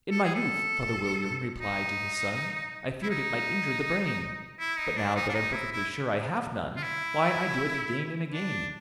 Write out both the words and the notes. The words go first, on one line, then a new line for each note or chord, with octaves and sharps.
'In my youth,' Father William replied to his son, 'I feared it might injure the brain; But, now that I'm perfectly sure I have none, Why, I do it again and again.'
A4
G#4
A4
D#4
E4
D#4
E4
D#4
D4
D#4
D4
D#4
E4
E4
F4
E4
D4